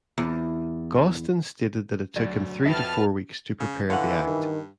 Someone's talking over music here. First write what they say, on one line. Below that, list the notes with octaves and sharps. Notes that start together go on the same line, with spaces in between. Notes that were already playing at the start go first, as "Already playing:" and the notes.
Gostin stated that it took him three to four weeks to prepare the act.
E2
D2 F#3 D5 A6
F2 F#4 B4 E5 G5 A5 F6
C#3
D3 E3 C#5 F5 F#5
G2 D#3